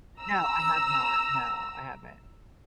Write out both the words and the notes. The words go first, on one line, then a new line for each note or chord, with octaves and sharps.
No, I have not. No, I haven't.
A#5 E6